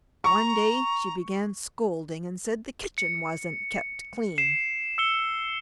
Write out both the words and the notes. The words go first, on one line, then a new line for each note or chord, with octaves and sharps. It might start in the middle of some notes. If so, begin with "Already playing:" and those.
One day she began scolding and said the kitchen wasn't kept clean.
A#5 C#6
C#7
C7 E7
E6 C#7 G7